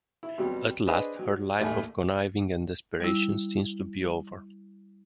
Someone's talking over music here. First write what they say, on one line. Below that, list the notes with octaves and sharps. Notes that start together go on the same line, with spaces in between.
At last, her life of conniving and desperation seems to be over.
E4
F2 B2 F#3 G3
D4 G#4 B4 C5 D#5
F#3
A1 D#2 G3 A3 E5 G#5
G3 E4